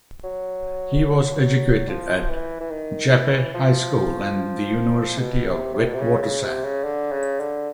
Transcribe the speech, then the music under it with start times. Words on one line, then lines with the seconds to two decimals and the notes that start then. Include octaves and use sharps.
He was educated at Jeppe High School and the University of the Witwatersrand.
0.24 F#3
1.88 F3
2.30 E3
2.61 E3
2.71 D#3
3.13 E3
3.54 F3
5.18 B2
5.47 C3
5.74 C3
5.86 B2
5.94 C3
6.01 C#3
6.23 C#3
6.43 C3
6.64 C#3
6.84 D3
7.12 C#3
7.40 D3